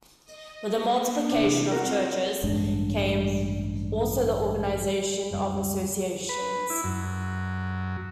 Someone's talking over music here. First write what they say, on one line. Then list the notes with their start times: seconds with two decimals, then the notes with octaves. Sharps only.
With the multiplication of churches came also the organization of associations.
0.24 D#5
0.80 A#3 B3
1.29 E2 C3 E3 D4
1.71 C4 F4 F#4 A#4
2.44 A1 G2 G#3 D4
5.31 F#1 C#2 F#2 G3
6.29 B4
6.70 E4
6.84 F#2